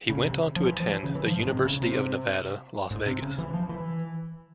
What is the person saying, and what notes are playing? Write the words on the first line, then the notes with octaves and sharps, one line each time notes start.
He went on to attend the University of Nevada, Las Vegas.
C#3
C3
F3
E3
F3
E3
C#3
E3
F3
G#2
C3
C#3
C3
G#2
C3
C#3
E3
F3
E3